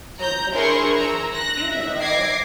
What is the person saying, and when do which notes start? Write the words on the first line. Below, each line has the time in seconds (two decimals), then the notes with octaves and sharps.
so of course they came to the funeral
0.19 A#5 G6
0.53 D4 E4 G#4 A#4 C6 C#6
0.95 A#5 E6
1.32 F#6 A#6
1.69 E5
2.01 D6 G#6 A#6 C7